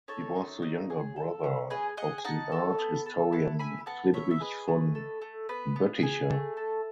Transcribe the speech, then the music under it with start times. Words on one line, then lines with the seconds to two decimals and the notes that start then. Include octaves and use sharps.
He was the younger brother of the art historian Friedrich von Boetticher.
0.08 D#4 A4 C#5
0.36 D#4
0.62 D#4
0.90 G#4
1.16 A4
1.44 C#4
1.70 G#4 B4 D#5
1.97 G#4 D#5 F#5
2.18 G#5
2.24 D#4 F#5 A5
2.52 A4
2.79 B3
3.06 A4
3.32 E4 F#5 A5
3.60 E4 G#5 B5
3.86 B3 F#5 A5
4.13 B3 C#5 E5
4.31 E5
4.40 G#4 B4 D#5
4.68 A3
4.95 A4
5.21 A3
5.49 B3 B4
5.76 B3
6.03 G#4
6.30 A3
6.57 A4